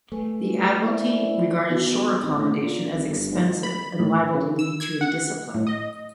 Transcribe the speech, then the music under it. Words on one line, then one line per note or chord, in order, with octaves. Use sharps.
The Admiralty regarded shore accommodation as expensive and liable to lead to indiscipline.
A3 B4 G#5
E4 C5 D5 G#5
B2
G#1
A2
A#2
C2
G1
G#2
B5
A2
C#3
E6
G#6
F#5
A2
D#5